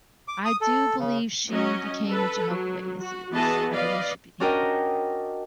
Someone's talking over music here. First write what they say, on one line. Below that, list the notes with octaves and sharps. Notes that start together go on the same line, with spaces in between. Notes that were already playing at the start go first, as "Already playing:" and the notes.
I do believe she became a Jehovah Witnesses. I believe she became a Jehovah
D6
D#6
A4
C#3
F#3 C#4 D#5
A4 B4
F#3
F#4
E3 B3 F#4 G#4 D#5 A5
B4 D5 D#5 F5
C#4 D4 F#4 A#4 D#5 G5